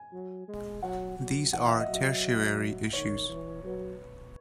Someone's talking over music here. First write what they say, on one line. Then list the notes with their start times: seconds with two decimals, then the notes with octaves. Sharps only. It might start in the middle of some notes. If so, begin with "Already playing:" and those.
These are tertiary issues.
Already playing: G#5
0.13 F#3
0.48 G#3
0.82 F#3 F#5
1.18 F#3
1.53 E3 F#5
1.67 E5
1.79 D#5
1.88 F#3 E5
2.93 D#3 C#5
3.29 E3
3.63 F#3 B4